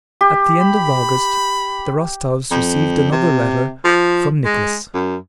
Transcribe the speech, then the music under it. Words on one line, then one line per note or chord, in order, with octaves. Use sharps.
At the end of August the Rostovs received another letter from Nicholas.
G4
B5
F2
C3
F3
G#3
F#2